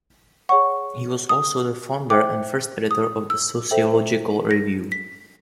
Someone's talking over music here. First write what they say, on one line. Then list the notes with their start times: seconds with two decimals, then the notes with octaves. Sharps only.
He was also the founder and first editor of "The Sociological Review".
0.49 G#4 C#5 F#5 C#6
1.29 D#6
2.10 C5 E5 G5 D6
2.91 D#6
3.30 E6
3.71 A4 C5 E5 G5
4.51 A#6
4.92 B6